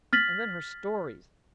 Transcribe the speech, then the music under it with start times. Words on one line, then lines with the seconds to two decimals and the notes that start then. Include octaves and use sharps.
And then her stories!
0.13 F6 A6 B6 F#7